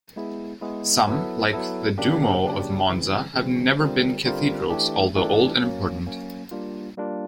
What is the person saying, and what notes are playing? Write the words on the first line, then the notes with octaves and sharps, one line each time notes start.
Some, like the Duomo of Monza, have never been cathedrals, although old and important.
G#3 B3 E4 G#4
G#3 B3 E4 G#4
F#3 B3 E4 A4
F#3 B3 E4 A4
C#3 F#3 A#3 D4 G4
C#3 F#3 A#3 D4 G4
C#3 E3 G3 C4
C#3 E3 G3 C4
D3 G3 C4 F4 A#4
D3 G3 C4 F4 A#4
E3 A3 D4 G4
E3 A3 D4 G4
F#3 A#3 C#4
F#3 A#3 C#4
G3 A#3 D4 F4
G3 A#3 D4 F4